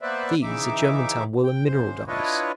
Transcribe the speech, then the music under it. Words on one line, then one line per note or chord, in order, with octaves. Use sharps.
These are Germantown wool and mineral dyes.'
A#3 B3 B4 C5 D5 E5
C#3 E3 D#4 E5 D6
G5
F#2 C5
D4 E4 F4 B4 C#5 D#5